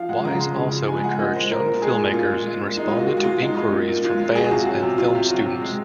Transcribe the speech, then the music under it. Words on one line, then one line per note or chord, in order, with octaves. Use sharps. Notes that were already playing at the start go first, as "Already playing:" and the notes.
Wise also encouraged young filmmakers and responded to inquiries from fans and film students.
Already playing: F3 F5
G#3 F#5
C#3 A#5
G#3 C6
C#3
F3
G#3 G#5
G#3 F#5
A#2 D#5
G#3 C5
A#2 A#4
A#2
G#3 G#4
A#2
A#2 F4
G#3
G#3
A#2
G#3 D#4
F4
A#2
F#4
G#3 F4
F#4
G#3 F4
G#3 D#4
G#3
A#2
A#2
G#3 F4
G#3
F#3 G#4
F#4
C3 F4
F#4
F#3
C3
F#3 F4
C3
F#3 F#4
C3
G#3